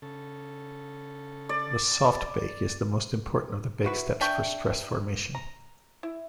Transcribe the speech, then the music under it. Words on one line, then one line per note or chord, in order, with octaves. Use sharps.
The soft bake is the most important of the bake steps for stress formation.
C#3 A4
D5
E4 F#4 B4
D4 E5 G5 C#6
A#5
E4